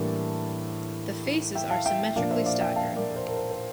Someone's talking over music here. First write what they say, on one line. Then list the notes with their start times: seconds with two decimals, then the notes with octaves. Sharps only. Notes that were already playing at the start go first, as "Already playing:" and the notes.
The faces are symmetrically staggered.
Already playing: A2 E3 G3 A#3 D4 A5
1.55 E5 G5
1.70 F5 A5
1.86 E5 G5
2.16 A#2 F3 A#3 D4 D5 F5
2.31 C5 E5
2.46 D5 F5
2.61 E5 G5
2.76 F5 A5
2.96 A#4 D5
3.11 A#4
3.16 C5
3.27 A#4
3.36 C5
3.51 C5